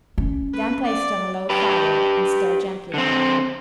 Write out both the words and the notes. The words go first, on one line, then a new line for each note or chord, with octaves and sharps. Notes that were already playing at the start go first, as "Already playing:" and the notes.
Then place it on a low fire and stir gently.
C#4
B4
D5
G4 B4
D3 C4